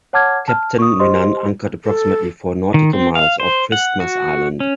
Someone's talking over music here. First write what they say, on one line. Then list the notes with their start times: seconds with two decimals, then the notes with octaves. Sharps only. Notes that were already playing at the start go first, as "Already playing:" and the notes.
Captain Rinnan anchored approximately four nautical miles off Christmas Island.
0.13 C#5 F#5 A5 D6 F6 G#6
0.48 A5 F6
0.79 C#6 D#6
1.00 G4 C5 D#5 C6
1.85 A4
2.74 D#3
2.93 C4
3.15 F5
3.40 C5
3.72 F#5
4.00 F#4
4.60 C#4